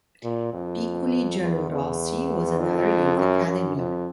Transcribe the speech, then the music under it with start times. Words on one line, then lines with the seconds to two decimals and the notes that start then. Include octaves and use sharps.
Piccoli Giallorossi, was another youth academy.
0.24 A#2
0.54 F2
1.41 E2
1.70 E2
2.59 F2
3.17 F#2
3.46 F#2
3.76 F2